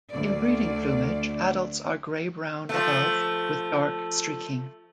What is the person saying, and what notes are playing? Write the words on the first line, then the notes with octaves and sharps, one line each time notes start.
In breeding plumage, adults are grey-brown above, with dark streaking.
D2 D5
F3 A3